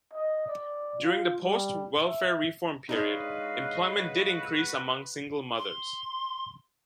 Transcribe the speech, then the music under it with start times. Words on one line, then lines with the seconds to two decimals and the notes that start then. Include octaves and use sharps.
During the post-welfare reform period, employment did increase among single mothers.
0.13 D#5
0.48 D5
1.01 F4
1.41 G3
2.05 E5
2.89 G#3 D4 D#4 F#4 B4 C#5 D#5 F5
5.58 C6